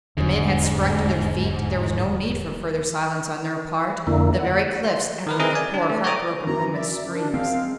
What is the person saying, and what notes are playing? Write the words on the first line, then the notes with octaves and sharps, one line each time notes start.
The men had sprung to their feet, there was no need for further silence on their part; the very cliffs echoed the poor, heart-broken woman's screams.
D#1 E2 G#2 D3
F2 D3 A#3 E4
F#5
C6
D#3 A#4 B4
C4 E4 G#4 A#4 B4 D#5
D5 G#5
D4
A3
C#5 D5 G5 A#5 D6 D#6
F#2 C#3 F#3 A#4 A#5
D5 E5
D4
G#3 C4 F5